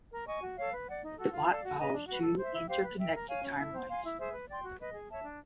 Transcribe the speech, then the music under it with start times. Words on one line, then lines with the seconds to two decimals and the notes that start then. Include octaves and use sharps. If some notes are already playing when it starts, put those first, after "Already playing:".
The plot follows two interconnected timelines.
0.12 A#4
0.27 D#5 G#5 C#6
0.41 F#4
0.57 A4 C#5 F5
0.72 B4
0.87 D5 F#5
1.03 D#4
1.17 F#4 A4
1.32 F4
1.47 A4 D5 F5
1.63 F#4
1.78 B4 D#5 G#5
1.93 D4
2.07 F#4 B4
2.22 A4
2.38 C5 E5
2.53 E4
2.68 G4 C5 F5
2.83 B4
2.98 E5 G5
3.14 A#4
3.28 C#5 F5 G#5
3.43 C#4
3.59 E4 A4
3.73 C5
3.88 F5 G#5 C6
4.04 E4
4.19 G#4 C5 E5
4.33 B4
4.48 D5 G5 C6
4.63 F#4
4.79 B4 D#5
4.93 G#4
5.10 C#5 E5 A5
5.23 D4